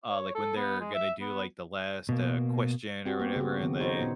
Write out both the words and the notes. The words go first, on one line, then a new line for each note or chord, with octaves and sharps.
Uh, like, when they're gonna do, like, the last, uh, question or whatever, and they,
C#5
A4
B3
G#3
E5
B3
B2 A#3
C4 F#4 G4
A#3 B3
C#3 F#4
D#3 B3 C4
D#4 F#4 C5 C#5
A#2 B3